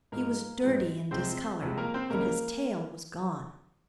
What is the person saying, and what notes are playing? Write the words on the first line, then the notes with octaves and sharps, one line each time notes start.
He was dirty and discolored, and his tail was gone.
G#2 F3 G#3 A#3 A#4
G#2 F3 G#3
C2 C3 F3 G#3 C4 C5
C2 C3 F3 G#3
A#3 A#4
C4 C5
C#2 C#3 G3 A#3 A#4